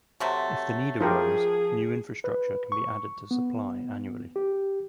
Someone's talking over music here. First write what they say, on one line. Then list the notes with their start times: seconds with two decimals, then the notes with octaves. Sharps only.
If the need arose new infrastructure can be added to supply annually.
0.20 C3 F#3 A3
1.00 F3 G4 G#4 A#4 C5
2.24 B4
2.72 C#6
3.31 B3
4.36 G4